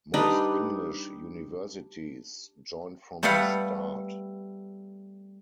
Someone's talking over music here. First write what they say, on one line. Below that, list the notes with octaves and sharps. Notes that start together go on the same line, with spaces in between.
Most English universities joined from the start.
G3 D4 D#4 B4
G3 A3 B3 A4 F5 F#5